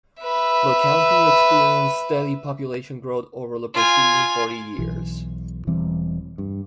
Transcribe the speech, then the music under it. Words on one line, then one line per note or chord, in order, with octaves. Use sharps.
The county experienced steady population growth over the preceding forty years.
B4 E5
F4 G#5
B1 E3
E1 E3 G3 C4
G2